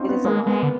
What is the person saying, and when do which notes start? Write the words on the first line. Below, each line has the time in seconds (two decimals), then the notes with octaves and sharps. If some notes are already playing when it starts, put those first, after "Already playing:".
It is a lot.
Already playing: C4 C#4 D#4 F4
0.09 B3
0.25 G#3 A#3
0.46 G#3 B3
0.63 D3